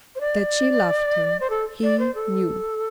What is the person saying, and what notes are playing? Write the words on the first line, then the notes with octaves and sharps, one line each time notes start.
That she loved him, he knew.
C5
D5
C5
A4
D5
C5
A4